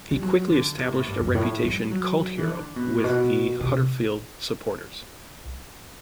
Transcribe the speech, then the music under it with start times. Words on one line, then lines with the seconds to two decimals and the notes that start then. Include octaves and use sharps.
He quickly established a reputation cult hero with the Huddersfield supporters.
0.11 G3
0.22 F#3
0.50 D3
0.78 C3
0.93 A2
1.06 G2
1.21 F#2
1.35 A2
1.63 G3
1.91 F#3
2.38 E3
2.47 D3
2.76 B2
2.98 A2
3.04 B2
3.61 C3